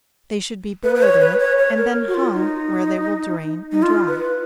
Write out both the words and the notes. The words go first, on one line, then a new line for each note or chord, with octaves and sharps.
They should be boiled in it, and then hung where they will drain and dry.
B4
B4
C#5
B4
C#5
C#5
A#4
F#4
F4
D#4
D#4
F4
B4